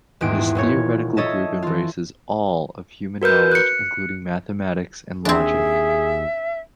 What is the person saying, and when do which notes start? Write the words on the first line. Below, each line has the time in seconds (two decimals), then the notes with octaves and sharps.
His theoretical group embraces "all" of human knowledge, including mathematics and logic.
0.21 D#1 E2 G#2 D7
0.55 E1 A#2 C#5
1.17 A4 C#5 D#5 E5 A5
1.62 E3 F4
3.22 F#4 A#4 B4 G6
3.52 F#6 C#7
5.25 D#2 C4 D4 G#4 E5